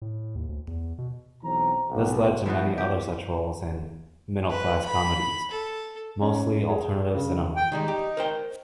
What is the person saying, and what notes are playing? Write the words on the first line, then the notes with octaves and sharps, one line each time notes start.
This led to many other such roles in "middle-class" comedies, mostly alternative cinema.
A2
D#2
D2
E2
B2
B1 E3 C4 A#5
B1
E3 F3 B3 F#4
G4
B4
B5
A4
C#4
G#4
C#3
G5
D#3 G3 G#3 D#4
G4
A#4 C5 G5